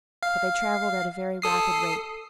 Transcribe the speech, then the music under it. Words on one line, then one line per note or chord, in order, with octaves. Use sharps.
But they travelled at a very rapid rate.
F5
A4 D#6 C7